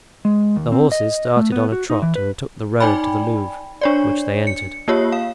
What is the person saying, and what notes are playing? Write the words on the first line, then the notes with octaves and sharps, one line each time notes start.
The horses started on a trot and took the road to the Louvre, which they entered.
G#3
D#2
C4
D#5
A3
B3
F#4
D#4
E3
B4
D#4 D5 G5 G#5 B5
D4 C#5 D5
C#7
A#3 F4 G4 C#5
F5